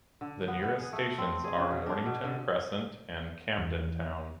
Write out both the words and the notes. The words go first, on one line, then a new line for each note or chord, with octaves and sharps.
The nearest stations are Mornington Crescent and Camden Town.
D3
B3
B3
G#4
A3
C4
G#4
C#3
B2
D4
B2
D3
E2